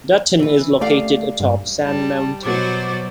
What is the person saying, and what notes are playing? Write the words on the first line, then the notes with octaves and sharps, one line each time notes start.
Dutton is located atop Sand Mountain.
E3 B4
A3 G4 D5 F5
G2
G3 A5
B2 F#3 C5 D6 A6